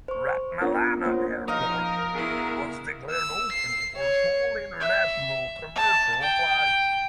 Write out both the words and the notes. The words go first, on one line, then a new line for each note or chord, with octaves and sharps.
Ratmalana airport was declared open for small international commercial flights.
C5 C#6
B3 C#4 D4 F4 A#4
A#3 F4 C5 C#5 F#5
C3 F3 G#3 D#4 A#4 D#5 F5
B3 D4 E4 F#4 G#4
E6
C7
C#5
E5
A5
G5